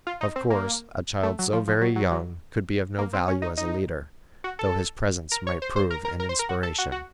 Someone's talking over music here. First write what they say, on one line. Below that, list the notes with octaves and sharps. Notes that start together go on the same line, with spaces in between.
Of course, a child so very young could be of no value as a leader, though his presence might prove an inspiration.
F4
D#4
C4
A#3
A3
F#3
F3
F3
F#3
F#3
F#3
A#3
C4
C#4
D#4
D#4
F#4
A4
A#4
C#5
C5
C5
A#4
A#4
A#4
C5
A#4
F#4
A4
F#4
F#4